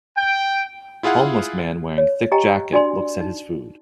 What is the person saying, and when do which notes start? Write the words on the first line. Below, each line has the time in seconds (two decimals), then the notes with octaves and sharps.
Homeless man wearing thick jacket looks at his food.
0.17 G5
1.03 E4 F4 G#4 F5 F#5
1.98 C#5
2.32 G4 D#5 G5 G#5 A#5
2.73 D4 F#4 D5 G#5 C6
3.21 D#4